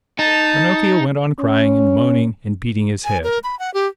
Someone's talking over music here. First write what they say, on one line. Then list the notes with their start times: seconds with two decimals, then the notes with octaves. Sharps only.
Pinocchio went on crying and moaning and beating his head.
0.19 D#4 A5
1.40 C#4
3.04 G#5
3.24 A#4
3.44 B5
3.59 F#5
3.74 G4